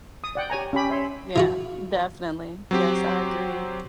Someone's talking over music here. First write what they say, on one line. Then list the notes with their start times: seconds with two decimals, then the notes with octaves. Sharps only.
Yeah, definitely. Yes, I agree.
0.24 D#6
0.35 D5 F#5 G5
0.50 G4 C#5 G#5 A#5
0.73 C#4 G4 B5
0.90 C#5 E5 C6
1.36 E3 F4 F#4
2.71 F#3 C4 G4